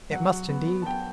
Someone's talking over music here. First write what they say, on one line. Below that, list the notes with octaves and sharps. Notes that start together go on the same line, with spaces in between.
It must indeed.
F#3 F#5
F#4
B3
B3
A5
B3 G5